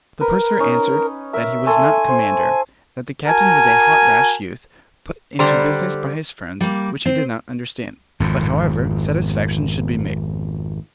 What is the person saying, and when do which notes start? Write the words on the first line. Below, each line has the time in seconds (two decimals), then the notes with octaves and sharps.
The purser answered, that he was not commander; that the captain was a hot rash youth, put into business by his friends, which he did not understand; but however, satisfaction should be made.
0.21 A#4 B4
0.60 C#4 D#4
1.33 A#4 E5
1.67 A3 A4 G#5 C6
2.09 C5
3.27 F#4 A#4 G#5 A5
5.39 D3 G3 C5 A#5
6.61 G3 A#3
7.05 C4
8.20 G#1 F2